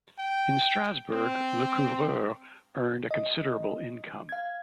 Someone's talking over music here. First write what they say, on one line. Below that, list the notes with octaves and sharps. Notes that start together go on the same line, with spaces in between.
In Strasbourg, Lecouvreur earned a considerable income.
G5
C4
D#5
F5 G#6